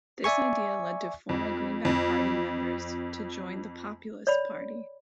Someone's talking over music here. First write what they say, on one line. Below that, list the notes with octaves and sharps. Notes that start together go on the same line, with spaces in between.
This idea led to former Greenback Party members to join the Populist Party.
D5 E5 G#5 C#6
F2
F2
C#5 D5 B5